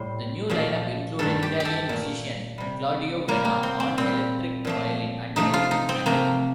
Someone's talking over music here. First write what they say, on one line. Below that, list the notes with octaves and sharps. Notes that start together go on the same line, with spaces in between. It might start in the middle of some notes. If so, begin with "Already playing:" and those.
The new lineup included Italian musician Claudio Vena on electric violin and electric mandolin.
Already playing: A2 G3 C5
A#2 F3 A3
G2 D#3 A3 A4
G4
G4
A4
A#2 A3
C3 G3
C3 G3 A#3
A#3
C4
C4
A#2 G3 C4
A#2 F3 A3
C3 F3 A3 D#4
F4
D#4
C4
C3 F3 A3 A#3